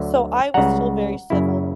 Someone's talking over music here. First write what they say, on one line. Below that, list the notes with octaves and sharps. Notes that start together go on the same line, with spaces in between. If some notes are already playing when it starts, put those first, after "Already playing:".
So, I was still very civil.
Already playing: D2 D3 F#3
C#2 C#3 G3 F#5 A#5
F#2 C#3 F#3 A#3 E4